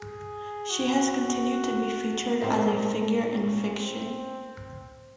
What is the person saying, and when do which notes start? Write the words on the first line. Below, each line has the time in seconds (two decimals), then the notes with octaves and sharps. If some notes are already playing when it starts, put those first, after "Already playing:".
She has continued to be featured as a figure in fiction.
Already playing: G#4
0.70 F#4
2.41 A#2 G#3 C4 F4
3.27 C#4
3.70 C4